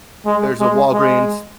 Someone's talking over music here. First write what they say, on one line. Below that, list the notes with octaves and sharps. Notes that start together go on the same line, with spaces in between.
there's a Walgreens
G#3
G#3
G#3